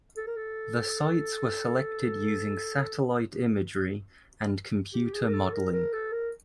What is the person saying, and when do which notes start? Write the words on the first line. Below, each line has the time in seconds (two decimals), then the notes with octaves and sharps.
The sites were selected using satellite imagery and computer modeling.
0.17 A4
0.27 A#4
0.36 A4
4.94 G4
5.13 G#4
5.27 A#4
5.33 A4
5.53 A#4
5.73 A#4
5.93 A4
6.12 A#4